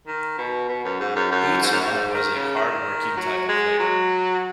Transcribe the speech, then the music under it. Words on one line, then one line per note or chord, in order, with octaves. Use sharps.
Bootsma was a hard working type of player.
D#3
B2
B2
F#2
G#2
F#2
F#2
G#2
F#2
G#2
G#2
D#3
C#3
D#3
F#3
G#3
F#3